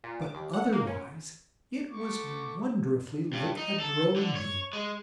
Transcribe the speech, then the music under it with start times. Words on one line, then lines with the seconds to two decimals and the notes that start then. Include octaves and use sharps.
But otherwise it was wonderfully like a drone bee.
0.04 A#2
0.22 D6
0.35 D#2
0.53 F#5
0.72 A#3
0.87 C#4
1.91 A3 C#6 D6
3.33 G2
3.57 D#4
3.80 A4
4.16 D3
4.35 C#5
4.73 G#3